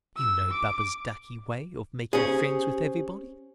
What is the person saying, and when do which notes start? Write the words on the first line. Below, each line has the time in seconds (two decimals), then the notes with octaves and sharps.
You know Baba's ducky way of making friends with everybody.
0.17 E6
0.51 D6
2.13 C#4 G4 G#4 C5